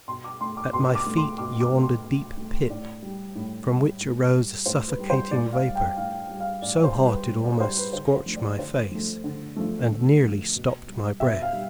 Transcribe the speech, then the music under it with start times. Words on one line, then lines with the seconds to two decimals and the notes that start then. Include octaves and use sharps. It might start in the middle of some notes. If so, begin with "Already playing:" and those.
At my feet yawned a deep pit, from which, arose a suffocating vapor, so hot, it almost scorched my face and nearly stopped my breath.
0.08 B2 C6
0.24 D6
0.41 A3 C6
0.57 D6
0.73 B2 C6
0.95 D6
1.06 A3
1.17 C6
1.38 B2 D6
1.61 D6
1.71 A3
1.82 C6
2.04 B2
2.37 A3
2.70 A2 D5
3.02 G3
3.35 A2
3.68 G3
4.00 A2
4.33 G3
4.66 A2 C5
4.88 B4
4.99 G3
5.10 C5
5.31 A2 D5
5.53 F5
5.64 G3
5.75 G5
5.97 A2 F5
6.29 G3
6.40 F5
6.62 A2 D5
6.84 C5
6.95 G3
7.06 B4
7.27 A2
7.44 D5
7.60 G3 C5
7.77 B4
7.93 D3 C5
8.15 C5
8.26 F3 A3
8.36 D5
8.58 D3 C5
8.91 F3 A3
9.24 D3
9.56 F3 A3
9.89 D3
10.22 F3 A3
10.55 B2
10.87 G3
11.20 B2 E5
11.42 F5
11.53 G3